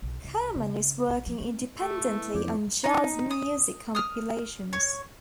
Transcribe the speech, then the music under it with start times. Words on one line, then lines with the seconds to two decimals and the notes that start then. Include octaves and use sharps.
Kerman is working independently on jazz music compilations.
0.02 B1
0.24 C2
0.55 C#3
1.09 B1
1.26 F3
1.40 C4
1.78 A3
2.05 B3 E4
2.35 F2 D5 G6 G#6
2.84 D#4
3.31 D#6
3.95 D#6 F6
4.73 C#5